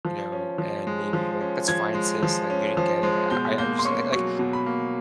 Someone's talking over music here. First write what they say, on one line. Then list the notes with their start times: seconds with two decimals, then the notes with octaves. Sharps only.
You know? And maybe you're like, "that's fine, sis. Like, you didn't get it. I I I understand." Like like,
0.05 F3
0.32 C#4
0.58 F3
0.87 G#3
1.13 F3
1.41 C#4
1.68 F3 G#6
1.94 G#3
2.23 F3
2.50 C#4
2.77 F3
3.03 G#3
3.30 B2 G6
3.58 A#3 G6
3.79 C6
3.85 C#4 C#6
4.12 F#3 C#6
4.39 B2
4.53 B5
4.66 A#3